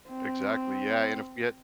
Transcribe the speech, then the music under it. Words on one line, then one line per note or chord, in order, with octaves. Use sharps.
Exactly, yeah, and if we had
C4